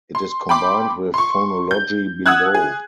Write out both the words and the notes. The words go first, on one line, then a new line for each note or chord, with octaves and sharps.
It is combined with phonology below.
C6
G5 B5 C6 D6
C6 C#6
G6
F#5 D#6 E6 F#6 G#6
G#4